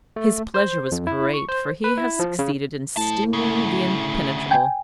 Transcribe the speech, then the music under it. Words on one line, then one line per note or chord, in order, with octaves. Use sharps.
His pleasure was great, for he had succeeded in stinging the impenetrable.
A3
C5
F2
E4
C#6
C5
B4
E4
F3
C#3
A2 C5 A5
D2 C#3
G5 G#5